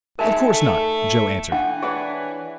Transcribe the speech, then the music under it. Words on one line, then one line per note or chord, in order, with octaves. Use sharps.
"Of course not," Joe answered.
G#3 D#4 A#4 E5 A5
A3
E3 D4 F#5 G5
D4 G#4 B4 C#5